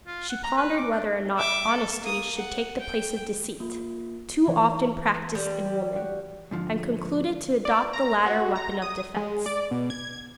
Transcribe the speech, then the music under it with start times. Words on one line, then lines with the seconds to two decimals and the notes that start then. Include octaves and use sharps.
She pondered whether or not honesty should take the place of deceit--too often practised in women--and concluded to adopt the latter weapon of defence.
0.07 F4
0.29 F#5
0.43 A#5
0.57 B4
0.76 D6
0.91 D4
1.38 E5 D6
1.69 A4
2.03 A#3 D#6
2.37 F#5
2.80 G5
3.60 A#3 F4
4.47 E3
5.35 G3
5.95 F#4 G4
6.51 G#2 D3 F3
7.65 D5
7.93 A#5
8.26 F#4
8.56 A#5
8.82 D#6
9.16 G#3
9.46 D5
9.71 B2
9.90 G#6